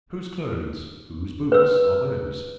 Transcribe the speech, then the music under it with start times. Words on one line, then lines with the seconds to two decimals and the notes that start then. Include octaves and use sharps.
Whose clothes, whose boots, are those?
1.52 B4 E6